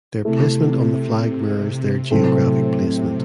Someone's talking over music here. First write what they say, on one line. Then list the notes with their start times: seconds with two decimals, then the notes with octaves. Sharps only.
Their placement on the flag mirrors their geographic placement.
0.25 C3 A3 E4 A4
2.11 A2 C3 F#3 A3 C4